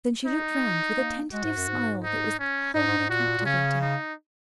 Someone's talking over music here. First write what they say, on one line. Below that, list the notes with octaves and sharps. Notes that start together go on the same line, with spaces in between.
Then she looked round with a tentative smile that was wholly captivating.
D#4
A#3
G#3 F#4
G#2
F#2
G#2
D#4
C#4
G#2 D#4
G#2
G#2
A#2 F#4
A#2
C#3 C#4
D#4